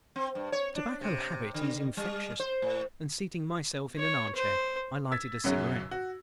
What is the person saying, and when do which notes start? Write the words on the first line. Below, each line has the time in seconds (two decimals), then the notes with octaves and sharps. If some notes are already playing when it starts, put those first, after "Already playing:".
The tobacco habit is infectious, and, seating myself in an arm-chair, I lighted a cigarette.
0.16 C4
0.35 G2
0.52 C#5
0.76 D4
1.01 C3
1.54 D3
1.97 G3
2.40 C5
2.62 A2
3.98 C#5
4.35 C5
5.12 E6 G#6 A6 B6
5.44 B1 F#2 C#3 F#3 C#4
5.91 F#4